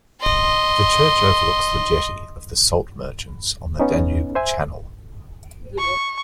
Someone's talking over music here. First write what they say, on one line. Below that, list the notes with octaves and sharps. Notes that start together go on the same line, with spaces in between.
The church overlooks the jetty of the salt merchants on the Danube channel.
D#5 C6
B3 C#4 D#4
C5 E5 G#5
C#6